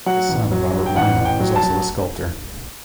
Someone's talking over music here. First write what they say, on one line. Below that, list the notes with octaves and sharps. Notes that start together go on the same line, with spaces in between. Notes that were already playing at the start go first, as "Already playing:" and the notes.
His son Robert Weinman was also a sculptor.
F#3 F#5
A1
F#3
F#3
G5
A1 F#5
A1
G5
F#3
A5
F#3